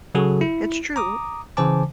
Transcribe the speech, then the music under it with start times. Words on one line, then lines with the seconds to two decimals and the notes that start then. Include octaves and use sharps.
It's true.
0.15 C#3 F#3 F#4 G#4 A4
0.41 E4
0.96 A#5 D6 D#6
1.57 C#3 E3 C5 G#5 A5 D6